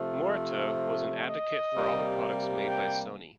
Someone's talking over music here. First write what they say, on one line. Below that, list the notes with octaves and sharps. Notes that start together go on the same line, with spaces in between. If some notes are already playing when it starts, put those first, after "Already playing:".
Morita was an advocate for all the products made by Sony.
Already playing: C3 F3 A3
D#5
C3 G3 A#3
G5